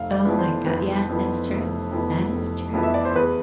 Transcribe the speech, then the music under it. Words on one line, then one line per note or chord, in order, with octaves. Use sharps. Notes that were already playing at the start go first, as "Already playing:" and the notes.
Oh my go yeah, that's true. That is true.
Already playing: F1 F5
D5
F2 E3 B3
C5
F1 B4
F2 E3 B3
F1
F2 E3 B3
F1
F2 E3 B3
E5
D5
C5
E2 B4